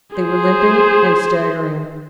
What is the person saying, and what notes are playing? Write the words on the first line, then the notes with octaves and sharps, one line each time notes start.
They were limping and staggering.
G#4 C5